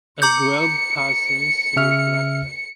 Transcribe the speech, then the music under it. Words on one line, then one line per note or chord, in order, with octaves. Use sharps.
A Grubb Parsons reflector.
A#5 D6 G6 C#7
C#3 E5 F6